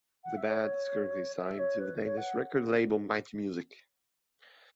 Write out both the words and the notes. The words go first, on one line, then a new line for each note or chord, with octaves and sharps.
The band is currently signed to the Danish record label Mighty Music.
F#5
E5
C#5
C#5
E5
C#5
B4
C#5
F#5